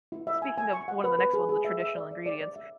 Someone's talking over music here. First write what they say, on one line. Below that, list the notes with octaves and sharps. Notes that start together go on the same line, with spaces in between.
speaking of one of the next ones, the traditional ingredients.
E4
E5
G#5
G#5
C#6
F#5
B4
B4
G#4
G#4
E5
E5
D5
D5
D5
D5
E5